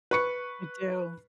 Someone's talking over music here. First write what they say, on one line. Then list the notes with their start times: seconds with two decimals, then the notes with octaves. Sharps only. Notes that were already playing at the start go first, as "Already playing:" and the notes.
I do.
0.11 B4 C#6 C#7